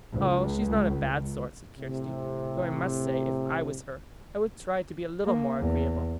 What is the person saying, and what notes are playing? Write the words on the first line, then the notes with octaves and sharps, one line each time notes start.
"Oh! she's not a bad sort," said Kirsty; "though I must say, if I was her, I would try to be a little more agreeable."
C#2
A2 C3
A#3
E2